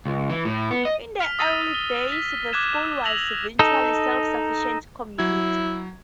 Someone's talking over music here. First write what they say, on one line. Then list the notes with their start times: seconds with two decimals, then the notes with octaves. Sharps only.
In the early days the school was a virtually self-sufficient community.
0.05 C#2
0.30 E3
0.45 A2
0.71 B3
0.85 D#5
1.20 F6 B6 F7
1.39 D#6 E6 A6 A#6 D#7 F7
1.74 G7
2.12 B6
2.53 D6 F6 F#6 G#6 E7
3.05 E6 A#6 F7 F#7
3.59 D#4 A4
5.19 F#3 E4 G#6